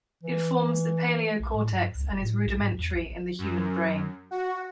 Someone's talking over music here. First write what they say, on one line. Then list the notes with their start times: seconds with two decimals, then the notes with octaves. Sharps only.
It forms the paleocortex and is rudimentary in the human brain.
0.23 E3
1.40 A#1
1.54 A2
1.72 G2
1.95 C#2
2.09 G1
2.22 A2
2.46 A#1
2.60 G#2
2.74 E2
2.94 A1
3.39 F#2
4.31 F#4